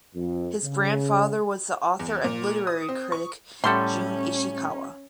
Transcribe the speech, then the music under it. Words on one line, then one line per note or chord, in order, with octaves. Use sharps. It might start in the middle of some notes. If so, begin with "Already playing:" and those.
His grandfather was the author and literary critic Jun Ishikawa.
F2
C#3
E2
A#2
D#6
C4
C#6
A2 G3 C#4 A4 F#5 C6